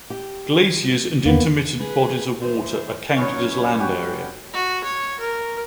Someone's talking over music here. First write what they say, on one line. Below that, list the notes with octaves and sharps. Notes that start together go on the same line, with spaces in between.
Glaciers and intermittent bodies of water are counted as land area.
G4
E2 A#3 B3
G#4 B4
G#2 E3 C5
F#2 C#4 D#4 B4 C#5
F#4 G4 G#5
F#4
C#5
A#4